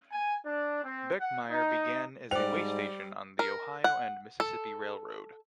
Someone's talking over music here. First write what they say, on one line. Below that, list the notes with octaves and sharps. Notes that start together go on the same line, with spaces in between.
Beckemeyer began as a way station on the Ohio and Mississippi Railroad.
G#5
D4
C4
F#5
D#4
G#2 G3 C5 D5 G5 F7
A#4
F#5
A4